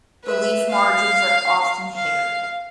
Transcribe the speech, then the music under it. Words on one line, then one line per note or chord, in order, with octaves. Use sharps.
The leaf margins are often hairy.
B4 E5
F5
F5